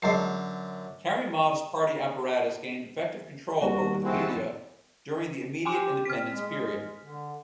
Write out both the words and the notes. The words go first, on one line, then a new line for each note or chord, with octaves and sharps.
Karimov's Party apparatus gained effective control over the media during the immediate independence period.
F#2 D3 G#3 A5 C7
D#2 G3 A#3 F#4
F2 G#3 C4 E4 F#4 G4 A5
G4 G#5 C6 D6
C4 F6 B6
G#3
D3